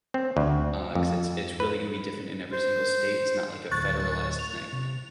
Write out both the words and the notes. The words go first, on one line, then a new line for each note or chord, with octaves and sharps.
Uh, 'cause it's it's really gonna be different in every single state, it's not, like, a federalized thing.
C4
D2
F2
B4
C5
D2 A2 C#6 F#6 A6
F7
C3